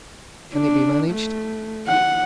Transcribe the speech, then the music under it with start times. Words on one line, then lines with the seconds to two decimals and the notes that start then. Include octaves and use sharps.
"Can it be managed?"
0.54 D4
1.10 A3
1.87 F#5